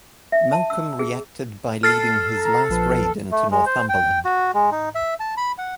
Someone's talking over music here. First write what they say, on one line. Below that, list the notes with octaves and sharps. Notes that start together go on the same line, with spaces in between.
Malcolm reacted by leading his last raid into Northumberland.
E5
A5
E6
G#4
A4 F6 A6 C7
A#5
A#1 F3 B4 A5
A3
G#3
C5
G5
F#4
G#3
D#4
E5
A5
B5
F#5